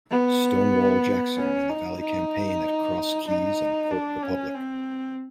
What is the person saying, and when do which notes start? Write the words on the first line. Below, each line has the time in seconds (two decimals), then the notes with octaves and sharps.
"Stonewall" Jackson in the Valley Campaign at Cross Keys and Port Republic.
0.11 B3
1.37 C#4
1.69 D#4
2.01 D#4
3.27 D#4
3.91 D4
4.23 C#4
4.54 C4